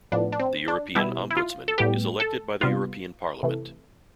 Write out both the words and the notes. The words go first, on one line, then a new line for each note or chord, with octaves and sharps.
The European Ombudsman is elected by the European Parliament.
A2 F3 B3 D4
D4
C4
D4
B2 G3 B3 E4
E4
F4
A4
A2 G3 B3 G4
A4
C3 G3 B3 F4
C3 E3 A3